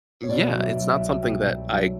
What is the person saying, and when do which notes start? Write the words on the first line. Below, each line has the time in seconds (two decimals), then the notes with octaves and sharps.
yeah, it's not something that I
0.23 C#5
0.29 B2 D5
0.53 F#3
0.61 E5
0.76 F#3
0.92 E5
0.99 C2
1.22 B2 G5
1.47 C2
1.70 F#3